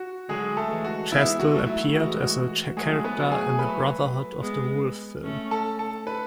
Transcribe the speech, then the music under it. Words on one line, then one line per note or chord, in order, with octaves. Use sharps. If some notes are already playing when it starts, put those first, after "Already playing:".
Chastel appeared as a character in the "Brotherhood of the Wolf" film.
Already playing: F#4
D3 F#3 G#3 G#4
A3 A4
E3 G#3
F#4
G#3 B3 E4
F#4
F#3 A3
E4
E3 G#3 F#4
F#4
F#4
F#3 G#3 A3 G#4
B3 B4
F#3 A3
G#4 G#5
F#3 A3 B4 B5
G#3 B3
A3 C#4
A4 A5
A4 A5
B4 B5